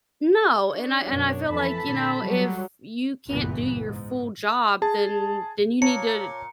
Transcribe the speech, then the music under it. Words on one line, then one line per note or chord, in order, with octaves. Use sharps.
No, and I and I feel like, you know, "If you can't do your full job, then then you need to,
D4 C#5
F#2 B2
F2 E3 A4 A5 B5
A#2 D3
F#3 G3
F#1 C#2 G2 A#2 E3 B3
G#2
G#4 A5
A#2 C#5 A5 A#5 C#7